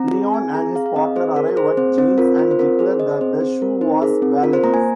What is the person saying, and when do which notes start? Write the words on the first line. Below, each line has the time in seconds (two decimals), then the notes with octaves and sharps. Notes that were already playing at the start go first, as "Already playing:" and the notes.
Leon and his partner arrive at Jane's and declare that the shoe was Valerie's.
Already playing: C4 A#5
0.13 G#4
0.34 C4 G#5
0.54 G#4 A#5
0.75 G#4 F5
0.86 F5
0.96 C4 D#5
1.16 G#4 C5
1.36 G#4 A#4
1.56 G#4 C5
1.77 C4 C5
1.98 C4 C5
2.18 F4 A#4
2.38 F4 C5
2.51 C5
2.59 C4 A#4
2.79 G#4 C5
3.00 G#4 D#5
3.21 C4 C5
3.41 C4 C5
3.61 C4 A#4
3.81 D#4 C5
4.02 G#4 A#4
4.22 C4
4.43 F4 A#4
4.53 C5
4.64 A#3 A#5
4.74 G#5